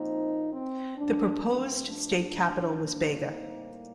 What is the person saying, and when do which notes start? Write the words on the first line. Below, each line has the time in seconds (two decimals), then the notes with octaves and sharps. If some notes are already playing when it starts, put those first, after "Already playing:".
The proposed state capital was Bega.
Already playing: A#2 F3 A#3 C4 D#4
0.52 C4
0.97 G2 F3 A3 D4
1.43 C4
1.88 D4
2.79 A2 G3 A#3 D4
3.25 C4 D#4